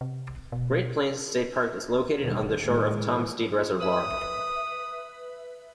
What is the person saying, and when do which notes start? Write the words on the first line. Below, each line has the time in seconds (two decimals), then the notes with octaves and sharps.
Great Plains State Park is located on the shore of Tom Steed Reservoir.
0.01 C3
0.52 B2
2.23 D#2 B2 D3 G3
2.64 A2 D#3 G#3
2.97 E3
3.81 B4 E5 D#6